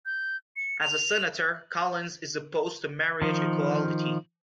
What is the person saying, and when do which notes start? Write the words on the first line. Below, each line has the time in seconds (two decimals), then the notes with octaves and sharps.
As a Senator, Collins is opposed to marriage equality.
0.06 G6
0.56 C#7
0.81 F7
3.22 D#3 F3